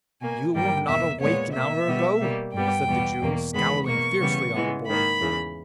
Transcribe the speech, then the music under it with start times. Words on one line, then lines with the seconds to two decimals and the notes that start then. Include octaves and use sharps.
'You were not awake an hour ago?' said the Jew, scowling fiercely on the boy.
0.20 B2 A#3 G#5
0.54 G2 D#3 G3 A#3 G5
0.86 E2 B2 A#3 E5
1.20 A#2 G#3 B3 C#5
1.53 B2 A#3 E5
1.87 B2 G3 B3
2.20 B2 G3 A#3
2.53 G2 G3 B3 G5
2.87 E2 B2 G3 B3
3.21 E2 B2 A#3
3.53 E2 D#3 G#3 B3 B5
3.87 B2 A#3 C#6
4.21 C#3 E3 G3 B3
4.54 C#3 E3 G#3 B3
4.87 G#2 D#3 A#3 B5
5.20 E2 C#3 E3